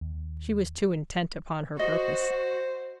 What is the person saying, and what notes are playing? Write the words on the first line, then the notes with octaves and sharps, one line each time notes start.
She was too intent upon her purpose.
D#2
F#4 C5 D#5